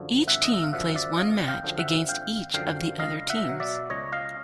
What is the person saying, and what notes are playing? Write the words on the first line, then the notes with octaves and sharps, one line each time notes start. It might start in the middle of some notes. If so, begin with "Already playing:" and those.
Each team plays one match against each of the other teams.
Already playing: F#2 D3 F3
G#1 E5 F#5
D#5
E5
F5
F#2 D3 F3 E5 F#5
D5 E5
G#1 D#5 F5
F5 G5
F#2 D3 F3
E5 F#5
G#1 F5 G5
F#2 D3 F3 F5 G5
C#2 D#5 F5
E5 F#5
B2 F#3
D5 E5
C#2 C#5 D#5
D#5 F5